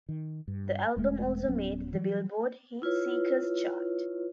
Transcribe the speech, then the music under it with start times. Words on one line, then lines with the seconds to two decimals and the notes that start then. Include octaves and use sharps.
The album also made the "Billboard" Heatseekers chart.
0.09 D#3
0.48 G2
0.96 E1 G#3 A3
1.48 D1 F#3 B3 C#4
1.93 E3 F#3 G3
2.82 E4 F4 B4 C#5